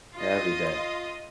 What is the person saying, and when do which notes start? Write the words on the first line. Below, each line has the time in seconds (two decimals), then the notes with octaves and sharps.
Every day,
0.16 F4 D#5